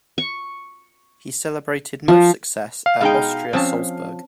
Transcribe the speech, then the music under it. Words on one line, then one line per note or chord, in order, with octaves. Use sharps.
He celebrated most success at Austria Salzburg.
C#6
F3
F5
B2 G#3 D#4 G5
F3 C4 C#4 A5